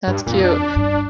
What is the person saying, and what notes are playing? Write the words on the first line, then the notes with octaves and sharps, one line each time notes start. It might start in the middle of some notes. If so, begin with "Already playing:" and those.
That's cute.
G2
F2 A#2
D4
G2